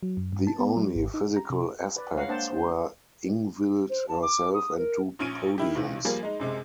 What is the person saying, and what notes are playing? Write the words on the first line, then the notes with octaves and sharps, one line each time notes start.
The only physical aspects were Ingvild herself and two podiums.
F#3
F#2
G2
A5
B3
F#3
G#1
D#4
A#5
C3
B4 D5
G#3 C#5 F5 F#5 A#5
A#3 D4 C5 F#5 G5 A5
C5
C5
A5
D6
D#6
A#4
A#1 C#4 D7 D#7
D#3 E4 G4
B1 C3 E3
F3 G3 A#3 G#4
G#3 D#4
F#2 C3 G#3